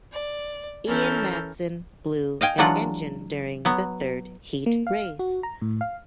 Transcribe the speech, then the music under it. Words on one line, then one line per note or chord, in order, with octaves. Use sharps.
Ian Madsen blew an engine during the third heat race.
D5
E3 C#4 A4 A#4 F6 G6
D#5 F5 G5 G#5
E3 F#3 G#3 D4 F4 F#5
F#3 B3
A#3
F5
F#4
A#5
A2
F5